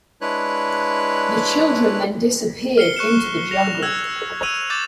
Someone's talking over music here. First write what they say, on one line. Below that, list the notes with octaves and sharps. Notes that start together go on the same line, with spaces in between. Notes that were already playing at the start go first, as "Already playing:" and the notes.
The children then disappeared into the jungle.
G#3 D4 E4 B4 C#5 F#6
F6 C7 C#7 G7
C#6 F#6 C#7 E7
A#6 F7
E6 F#6 G#6
E6 D#7 F7
D6 G6 A6 E7